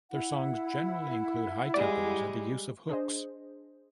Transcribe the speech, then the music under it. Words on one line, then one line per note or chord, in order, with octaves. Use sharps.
Their songs generally include high tempos and the use of hooks.
E4 F#5
G3 G#3 D5
D4 G#4 C5 D#5